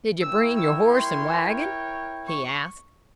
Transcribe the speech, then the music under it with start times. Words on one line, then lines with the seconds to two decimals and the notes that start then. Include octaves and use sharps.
"Did you bring your horse and wagon?" he asked.
0.22 E4 A#4 C#5 G5 E6
0.57 E6
0.91 C6
2.28 C#6